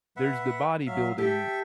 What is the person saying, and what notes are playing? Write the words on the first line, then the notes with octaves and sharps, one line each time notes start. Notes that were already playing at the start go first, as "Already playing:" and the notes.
there's the bodybuilding
B4 E5 F#5
F#3 E5 F5
G4 A4 E5 G5